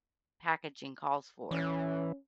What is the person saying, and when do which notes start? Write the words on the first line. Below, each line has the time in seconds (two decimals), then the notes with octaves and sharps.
packaging calls for.
1.51 E3 C#4